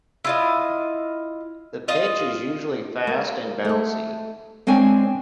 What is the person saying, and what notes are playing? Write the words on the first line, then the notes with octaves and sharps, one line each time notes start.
The pitch is usually fast and bouncy.
E4 F4 D#5
F4 D#5
A#3
A3 A4
G#3 C4 D4 C#5 G#5 A5